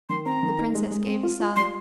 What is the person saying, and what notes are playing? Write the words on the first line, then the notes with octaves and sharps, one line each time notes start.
The princess gave a sigh.
D#3 C6
C4 A#5
D#3
D#4
G#3
G#3
C4
F4
F4
G3 C6